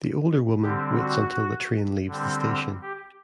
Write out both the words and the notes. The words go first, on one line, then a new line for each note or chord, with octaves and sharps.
The older woman waits until the train leaves the station.
D3 G3 C4 G4
F#4
D3 G3 C4
G4